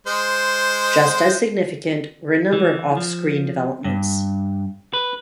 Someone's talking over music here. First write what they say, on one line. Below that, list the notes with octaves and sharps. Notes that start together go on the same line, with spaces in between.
Just as significant were a number of offscreen developments.
G#3 C5
E3
F3
G2
B4